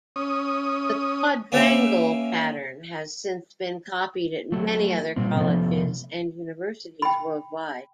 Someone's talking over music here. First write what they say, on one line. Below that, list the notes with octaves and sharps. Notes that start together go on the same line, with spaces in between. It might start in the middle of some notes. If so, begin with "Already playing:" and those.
The quadrangle pattern has since been copied at many other colleges and universities worldwide.
C#4 D#6
A#3 C#4 G4 B4 E5 F5
F#3 A3
A#2 G3 C4
C3 F3 A3 B3
G5 B5